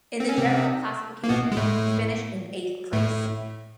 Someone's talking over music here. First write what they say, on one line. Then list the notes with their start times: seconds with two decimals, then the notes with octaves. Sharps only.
In the general classification, he finished in eighth place.
0.20 C4
0.29 C#4
0.38 C3 C4
1.24 A#3
1.29 B2 B3
1.52 G#3
1.57 A2 A3
2.93 A2 A3